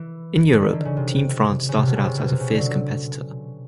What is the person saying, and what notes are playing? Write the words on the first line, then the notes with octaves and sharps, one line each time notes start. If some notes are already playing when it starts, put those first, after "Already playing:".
In Europe, team France started out as a fierce competitor.
Already playing: E3
D3
D#3
D3
C#3
C3
C#3
C3
B2
C#3
C3
B2
C3
C#3
D3
F#3